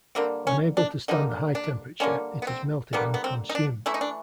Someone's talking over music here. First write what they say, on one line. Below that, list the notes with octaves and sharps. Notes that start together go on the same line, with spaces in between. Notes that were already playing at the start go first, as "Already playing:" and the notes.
Unable to stand the high temperature it is melted and consumed.
D3 G3 A#3 C4
C#4
D4
D3 G3 A#3 D#4
D4
D3 G3 A#3 C#4
B3
C4
D3 G3 A#3 B3
B3
C4
D#4
D4
E3 A3 E4
D#4
D4